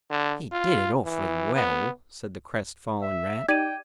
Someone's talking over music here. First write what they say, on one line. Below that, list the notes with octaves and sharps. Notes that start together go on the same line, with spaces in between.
'He did it awfully well,' said the crestfallen Rat.
D3
F4
E3
B3
E5
D#4 G4 D5 G5 G#6 D#7